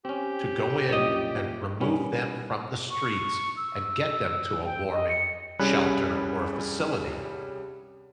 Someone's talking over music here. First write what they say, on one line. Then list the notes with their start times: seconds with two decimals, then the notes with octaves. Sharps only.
to go in and remove them from the streets and get them to a warming shelter or a facility"?
0.05 C4 C#4 G4
0.89 C2 F#2 A#2 C#5 D#5
1.80 G3 B3 C#4 E4 A#4 G#5
2.90 C#6
3.57 E6
4.66 G5
4.92 D#5
5.09 C#7
5.59 C2 G3 C#4 G#4 B5 F#6